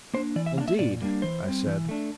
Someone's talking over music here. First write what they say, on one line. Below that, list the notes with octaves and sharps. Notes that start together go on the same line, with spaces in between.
"Indeed," I said.
A#3 D4 C5
E3 D5
E5
A#3 D4 F5
E5
A#2 D5
G3 A#3 D4
E3 C5
G3 C4
E3
A3 D4